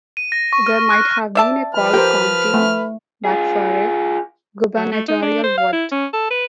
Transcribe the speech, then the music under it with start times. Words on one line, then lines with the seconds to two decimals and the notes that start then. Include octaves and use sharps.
There might have been a Call County but for a gubernatorial vote.
0.17 D#7
0.32 A#6
0.53 C#6
0.66 F6
0.90 F#6
1.35 D5 E5 A5
1.75 F3 B4 F6
1.94 G4 A#4 C5 G5
2.54 A3
3.25 F4 G#4
4.77 F#3
4.92 A3
5.08 D#4
5.22 D4
5.44 C5
5.58 F5
5.73 E4
5.92 C#4
6.13 A4
6.30 B4